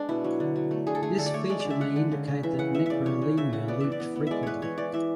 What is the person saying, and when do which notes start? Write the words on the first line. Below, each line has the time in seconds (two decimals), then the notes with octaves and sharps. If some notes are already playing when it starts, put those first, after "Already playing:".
This feature may indicate that "Necrolemur" leaped frequently.
Already playing: G#3 B3 D4
0.09 B2 E4
0.24 F#3
0.40 D3
0.56 F#3
0.71 A3
0.87 D3 G#4
0.95 A4
1.03 A3 G#4
1.18 D3 A4
1.26 D5
1.34 A3 C#5
1.49 G#3 D5
1.60 D3 D5
1.70 E5
1.81 G#3 F#5
1.96 D3
2.12 C#3
2.28 C#3
2.43 E3 E5
2.59 C#3 F#5
2.74 B3 E5
2.86 C#3 D5 E5
3.06 C#3 C#5
3.22 C#3
3.37 C#3 E5
3.53 C#3 F#5
3.68 B3 D5
3.80 E3 E5
3.92 D5
4.00 B3
4.16 B3
4.27 G#3 D5 E5
4.43 B3 B4 C#5
4.62 E3 C#5
4.78 E3 D5
4.93 E3 E5